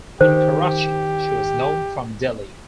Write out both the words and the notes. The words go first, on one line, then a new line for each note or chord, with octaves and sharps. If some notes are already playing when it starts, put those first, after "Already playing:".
In Karachi she was known from Delhi.
D#3 G4 C5